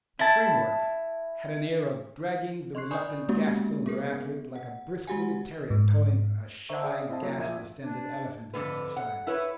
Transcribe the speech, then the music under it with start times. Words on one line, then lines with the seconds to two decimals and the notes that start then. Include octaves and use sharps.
The framework had an air of dragging the reluctant gas-cylinder after it like a brisk little terrier towing a shy gas-distended elephant into society.
0.19 E4 A5
2.75 D#5 C6 C#6 F#6 C7
2.91 D5 G#5 B5 C#6 D#6 G6
3.29 G#3 A#3 B3 C#4 F#4 G4
3.86 B3 G#4 A#4
4.56 F#5
5.07 G#3 F#4 G4 F#5 G#5
5.70 G#2
6.69 C5 E5 A#5 C#6
6.82 G#4 D5 E5 F5 G5
7.09 C4 E4 D#5 F5 A5
7.22 F#3 A#3 E4
7.38 A#1 A#2 E5 G#6 D#7
7.83 D4
8.54 F2 A#2 D3 B4
8.96 F#5
9.27 E4 B4 C#5